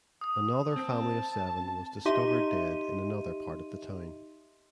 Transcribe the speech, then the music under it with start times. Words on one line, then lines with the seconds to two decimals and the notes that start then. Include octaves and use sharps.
Another family of seven was discovered dead in another part of the town.
0.21 D#6
0.76 C4 A5
2.05 D#4 G4 D#5 E5 C6 D#7